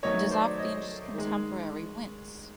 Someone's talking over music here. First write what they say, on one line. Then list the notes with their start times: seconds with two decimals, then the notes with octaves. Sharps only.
Does our fiendish contemporary wince?
0.03 D#3 F#3 A3 C#5 D#5
0.31 C5 D5
0.58 C#5 D#5
1.13 D#3 G#3